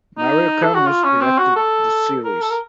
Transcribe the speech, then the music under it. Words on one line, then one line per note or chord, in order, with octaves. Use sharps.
Mario Camus directed the series.
D#4
A4
F#4
F4
C#4
C4
F#4
A4
A#4
A4
A#4